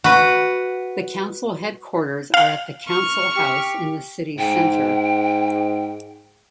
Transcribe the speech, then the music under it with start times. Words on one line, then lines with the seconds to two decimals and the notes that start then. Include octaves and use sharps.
The council headquarters are at the Council House in the city centre.
0.04 F#4 B4
2.34 F5
2.88 C#6 F6
3.36 G4
4.38 G#2 G5